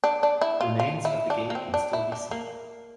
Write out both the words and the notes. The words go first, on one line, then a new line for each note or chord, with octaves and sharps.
Remains of the gate can still be seen.
D4
D4
E4
F4
F4
E4
D4
A#3
C4
D4
E4
D4
A#3